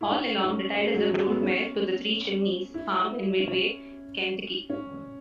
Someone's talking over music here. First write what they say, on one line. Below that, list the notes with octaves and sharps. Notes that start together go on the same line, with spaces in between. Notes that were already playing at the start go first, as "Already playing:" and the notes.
All Along retired as a broodmare to the Three Chimneys Farm in Midway, Kentucky.
E4
C#4
C#4
G#3
F#3
G#3
B3
C#4
E4
C#4
C#4